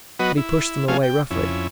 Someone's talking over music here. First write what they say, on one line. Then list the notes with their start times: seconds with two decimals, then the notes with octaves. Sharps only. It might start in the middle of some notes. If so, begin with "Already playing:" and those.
But he pushed them away roughly.
0.19 F#3 B3 F#4 B4 D#5
0.37 E4
0.88 F3 A3 C#4 G#4 F5
1.03 G5
1.31 F2 C#4 E4